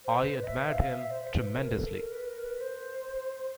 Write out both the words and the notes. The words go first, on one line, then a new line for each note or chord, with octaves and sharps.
I admired him tremendously.
C5
B4
D#5
E5
F5
E5
C5
C5
B4
A#4
A4
A#4
B4
A#4
B4
C5